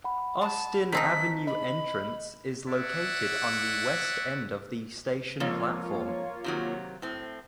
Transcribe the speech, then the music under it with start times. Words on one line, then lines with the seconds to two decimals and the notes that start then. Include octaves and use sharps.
Austin Avenue Entrance is located on the west end of the station platform.
0.04 F#5 B5
0.41 A5
0.92 D#3 C4 D#4 A5 A#5 B6
1.47 D#5 B5
2.68 C#5 D5 E5 F#5
5.40 F2 G#2 A#3 F4 C#5
6.44 C3 D#3 F#3
7.02 A2 C4